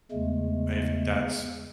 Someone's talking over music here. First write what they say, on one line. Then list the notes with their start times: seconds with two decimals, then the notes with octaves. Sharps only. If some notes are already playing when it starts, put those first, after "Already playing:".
If that's
0.12 E2 C#3 G#3 A3